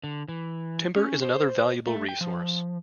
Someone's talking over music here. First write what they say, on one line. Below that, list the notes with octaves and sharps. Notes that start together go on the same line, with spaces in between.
Timber is another valuable resource.
D3
E3
C#4
C5
A3
G5
F3